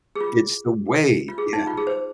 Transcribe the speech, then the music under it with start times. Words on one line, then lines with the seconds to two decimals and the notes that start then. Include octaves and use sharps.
it's the way, yeah.
0.16 G#4
0.21 F4
1.28 F4
1.38 G#4
1.53 D#4
1.67 F4
1.77 G#4
1.87 C5